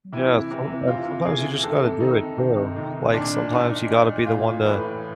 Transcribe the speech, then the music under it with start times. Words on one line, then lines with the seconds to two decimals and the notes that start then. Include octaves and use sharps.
Yeah, sometimes sometimes you just gotta do it too. Like, sometimes you gotta be the one to
0.12 C3 E3 E4
0.51 C3 E3
0.87 C3 E3 F4
1.25 C3 E3 G#4
1.63 C3 D#3 A4
2.00 C3 D#3 D#4
2.38 C3 D#3
2.76 C3 D#3
3.13 A#2 D4
3.51 A#2 D#4
3.89 A#2
4.26 A#2 F4
4.64 A2 E3 B4